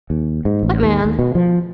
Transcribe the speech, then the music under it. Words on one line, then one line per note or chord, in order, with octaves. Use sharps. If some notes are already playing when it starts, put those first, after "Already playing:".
"What man?"
D#2
G#2
A1
D#2
D#2
B2
F3